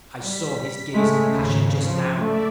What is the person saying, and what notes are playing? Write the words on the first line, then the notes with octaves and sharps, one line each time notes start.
I saw his gaze of passion just now.
G3 B6
C#3 G#3 A3
G#1 D#2
F3
A3 D5 E5